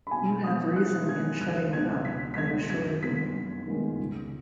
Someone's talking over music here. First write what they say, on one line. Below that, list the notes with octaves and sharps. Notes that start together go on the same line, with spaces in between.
You have reason in shutting it up, I assure you.
B5
B2 G#5
G#3 B3 D#6
B2 F#6
G#3 B3 G#6
C#2 F#6
B2 G#3 B3 G#6
C#2 B6
B6
B2 G#3 B3 G#6
F#2 G#6
D#3 G#3 B3 B6
F#2
D#3 G#3 B3
C#2